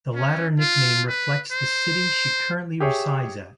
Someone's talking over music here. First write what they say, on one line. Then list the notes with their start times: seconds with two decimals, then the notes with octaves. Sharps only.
The latter nickname reflects the city she currently resides at.
0.15 C#4
0.59 F4
1.08 B4
1.52 C5
2.80 G4 G#4 C#5 E5